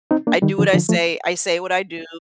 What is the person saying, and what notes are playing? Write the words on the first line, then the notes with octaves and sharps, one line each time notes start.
I do what I say, I say what I do.
C4 D#4
A#3 D4
D#3 G3
D3 F3
D3 F3
F3 A3